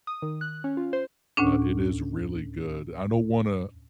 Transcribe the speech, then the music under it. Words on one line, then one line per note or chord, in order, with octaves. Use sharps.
uh, it is really good. I don't wanna
D#6
D#3
F#6
C#4
F4
C5
D2 A2 C#4 D4